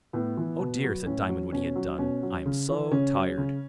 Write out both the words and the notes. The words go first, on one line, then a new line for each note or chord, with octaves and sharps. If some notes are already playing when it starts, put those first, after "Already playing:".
"Oh dear!" said Diamond when he had done, "I'm so tired!"
A2 B3
E3
B2
F#3
A2 C#4
F#3
B2 C#4
F#3
B2 C#4
F#3
C#3
E3
C#3 C#4
F#3
C#3